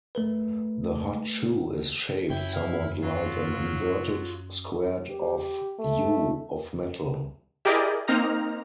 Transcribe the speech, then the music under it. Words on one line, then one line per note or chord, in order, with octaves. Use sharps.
The hot shoe is shaped somewhat like an inverted, squared-off "U" of metal.
A3 A#4 B4
F#2 E4 G5
F5
F#3 F4
G4
A3
E4 G4 G#4 A#4 D5 D#5
A#3 C4 D#4 A#5 F6